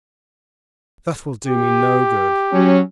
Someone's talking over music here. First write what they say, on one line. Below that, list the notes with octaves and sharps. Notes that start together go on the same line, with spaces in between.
"That will do me no good."
G4
F#3 C#4